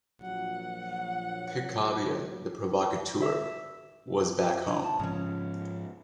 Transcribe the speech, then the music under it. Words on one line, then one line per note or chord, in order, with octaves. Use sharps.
Picabia, the provocateur, was back home.
A#1 F#3 F#5
E5
A5
G#2 C#3 F3 C#4